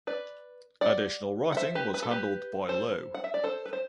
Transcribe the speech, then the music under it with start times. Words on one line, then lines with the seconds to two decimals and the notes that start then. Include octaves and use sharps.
Additional writing was handled by Lo.
0.07 B4 D5
0.81 D5 F#5
1.52 F#5
1.57 C5 E5
1.75 G4 B4
1.94 B4
2.02 A4
2.11 G4 B4
2.69 A4 C5
3.14 F#5
3.24 E5
3.34 D5
3.44 A4 C5
3.65 B4
3.73 C5